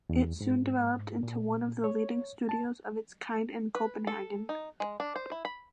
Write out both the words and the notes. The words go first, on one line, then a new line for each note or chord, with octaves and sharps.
It soon developed into one of the leading studios of its kind in Copenhagen.
E2
G#2
A#2
C#5
A5
B4
A4
D#4
G#3
D4
C5
E4
B5